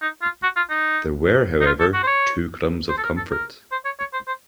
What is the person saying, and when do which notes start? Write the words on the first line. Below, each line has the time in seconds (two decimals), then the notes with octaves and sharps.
There were however two crumbs of comfort.
0.02 D#4
0.22 F4
0.43 F#4
0.56 F4
0.70 D#4
1.61 D#4
1.66 F4
1.80 A4
1.93 F#4
2.03 C5
2.07 C#5
2.89 C5
2.98 A4
3.04 A#4
3.17 A4
3.31 A#4
3.72 C5
3.85 C#5
3.99 C#5
4.13 C5
4.27 C5